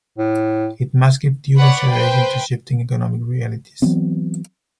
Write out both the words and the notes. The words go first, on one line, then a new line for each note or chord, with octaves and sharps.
It must give due consideration to shifting economic realities.
A2
B4 C#5 D5 F#5 B5
B4 C5 G5
E3 F#3 B3 C4